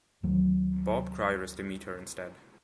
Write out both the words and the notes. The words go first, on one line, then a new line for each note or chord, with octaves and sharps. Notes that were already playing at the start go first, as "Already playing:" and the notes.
Bob Cryer is to meet her instead.
D2 D#3 F#3